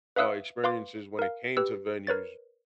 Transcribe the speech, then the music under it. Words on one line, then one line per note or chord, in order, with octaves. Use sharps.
uh, experiences when it came to venues
B4 E5 F5 D#6 E6 F#6
B4 F5 C6 D6
A#4 F5
G4 B4 E6
A#4 B4 C#5 A6